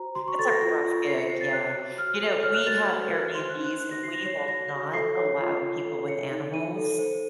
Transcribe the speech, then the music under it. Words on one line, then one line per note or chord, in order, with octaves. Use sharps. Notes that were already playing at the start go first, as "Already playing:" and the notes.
that's a rough gig, yeah. You know, we have Airbnb's, and we will not allow people with animals
Already playing: F#4 C5 A#5
F#4 C6
C#6
A4 A6
A#6
F4 A#6
F4
C5 C7
C#7
C5 C7
A6
C#5 F#6
F#4
F#4 F6
A4
C#5 F6
F#6
F#4 A6
F#4
A#4
C5 C6
F#6
D#4
F#6
D#4 F#6
A#6
F#4 C7
A#6
C#5 A#6
F#4 A#6
F#4
A4 C7
C#5
F4
F4
A4
C#5 C#7
D#4
D#4 D#7
A4
C5